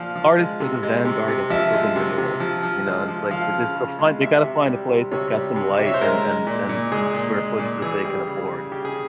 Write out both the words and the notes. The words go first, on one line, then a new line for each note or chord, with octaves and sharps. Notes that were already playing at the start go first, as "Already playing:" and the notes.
artists are the vanguard of urban renewal. You know? And it's like, this they'll find they gotta find a place that's got some light and and and some square footage that they can afford,
Already playing: A#2 F3 F5
F3
G#3
C3
G#3
C3
C3
F3 E5
G#3
C3
C3
F3
F3
G#3
F3
F3 F5
C#3
C#3
G#3
C3 E5
C3
G3
C3
C3 C#5
G3
C3
C3 E5
C#5
C5
G#3 A#4
G#3
A#2
A#2
G#3 G#4
A#2
G#3
A#2
E3 G#4
G3
C#3
C#3
C#3 G4
G#4